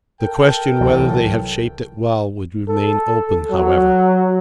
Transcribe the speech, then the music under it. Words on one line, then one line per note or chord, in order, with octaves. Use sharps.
The question whether they have shaped it well would remain open, however.
A4 A#4 G5
C2 E3 F#3
A4
F#3